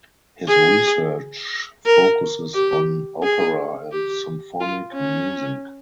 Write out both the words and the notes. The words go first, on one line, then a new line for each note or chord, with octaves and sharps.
His research focuses on opera and symphonic music.
G#4
A#4
G4
G#4
G4
F4
C#4